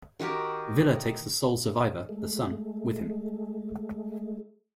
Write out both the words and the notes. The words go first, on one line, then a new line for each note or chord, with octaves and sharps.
Villa takes the sole survivor, the son, with him.
D#3 F#4 G4 A#4
G#3 A3